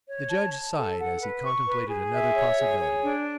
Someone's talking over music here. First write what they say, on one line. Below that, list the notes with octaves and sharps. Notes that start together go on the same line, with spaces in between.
The judge sighed as he contemplated another possibility.
C#5
A5
A5
A4
F#5
B4
C#6
B4
G#4
E5
C#5
G#4
C#5
D4